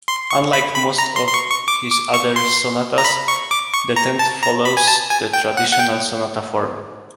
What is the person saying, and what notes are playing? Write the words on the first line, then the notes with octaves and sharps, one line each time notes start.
Unlike most of his other sonatas, the tenth follows the traditional sonata form.
C6
C#6
B5
B5
A#5
C6
C6
C#6
C#6
D6
D6
C#6
C6
A#5
B5
C#6
D6
C#6
A#5
A5
A#5
B5
G#5
A5
G#5
G5
F#5
F#5
G5